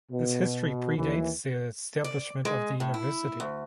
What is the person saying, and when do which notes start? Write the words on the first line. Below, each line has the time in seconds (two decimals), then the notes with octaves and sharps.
Its history predates the establishment of the university.
0.11 B2
0.96 D#2 E3
2.04 D5
2.45 G#3
2.80 A2
2.94 E4
3.40 D2